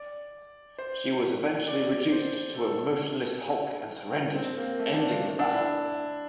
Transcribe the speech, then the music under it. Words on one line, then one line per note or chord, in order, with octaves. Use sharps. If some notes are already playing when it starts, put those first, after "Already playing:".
She was eventually reduced to a motionless hulk and surrendered, ending the battle.
Already playing: D5
C5
D5
C5
A4
C4
A#3
A3
D4
F4
D4
E4